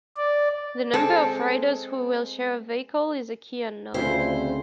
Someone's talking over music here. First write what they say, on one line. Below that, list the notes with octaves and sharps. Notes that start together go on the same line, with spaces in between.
The number of riders who will share a vehicle is a key unknown.
D5
G#3 C4 A4
D2 C#3 C4 E4 F4 C5